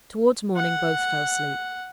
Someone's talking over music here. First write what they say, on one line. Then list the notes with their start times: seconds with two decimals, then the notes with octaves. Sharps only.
Towards morning both fell asleep.
0.57 F#5